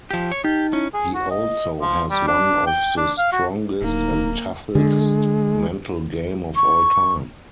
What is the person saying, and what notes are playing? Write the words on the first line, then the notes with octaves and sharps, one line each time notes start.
He also has one of the strongest and toughest mental game of all time.
F3 G4
C#5
D#4 G4
C#4 E4
G#4
F#4
D#5
F3
G3
D4
G5
D4
F5
F#4
D1 A#3 D#4
D3 G#3
C#6